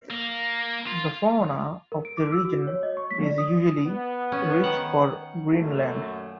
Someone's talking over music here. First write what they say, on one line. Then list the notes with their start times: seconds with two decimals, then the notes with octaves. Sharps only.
The fauna of the region is unusually rich for Greenland.
0.10 A#3
0.87 F4
1.92 A#4
2.05 D7
2.17 D6
2.32 E6
2.45 F#4
2.67 C#5
2.83 D#5
2.97 C#6
3.11 B6
3.23 D5
3.38 D#6
3.85 B3
4.32 C#4
4.64 D#3 F#5
5.54 F#2 A#2 A3